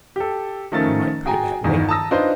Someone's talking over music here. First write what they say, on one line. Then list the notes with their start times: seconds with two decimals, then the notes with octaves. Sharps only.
"You might put it that way."
0.16 G4 A4
0.72 D#3 F3 A3 C#4 A#4 A6
1.25 F#4 G#4 G5 G#5 A#5
1.64 G1 E2 D#3
1.89 A5 A#5 D#6 E6 A#6
2.11 D4 D#4 F4 B4 C5 D#5